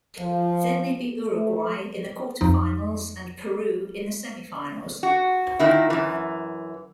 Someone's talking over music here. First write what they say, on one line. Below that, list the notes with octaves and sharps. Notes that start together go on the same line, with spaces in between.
Then they beat Uruguay in the quarterfinals and Peru in the semifinals.
F3
A3
F2 F3 D#4
F#4
A#2 D#3 E4
F#2 E3